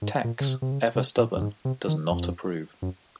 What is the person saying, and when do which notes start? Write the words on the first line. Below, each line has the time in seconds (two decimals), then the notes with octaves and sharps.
Tex, ever stubborn, does not approve.
0.02 G#2
0.24 A#2
0.40 C#3
0.48 C3
0.62 C3
0.72 C#3
0.95 C3
1.18 A#2
1.37 F#2
1.41 G#2
1.65 C3
1.88 D#3
2.11 F2
2.82 F#2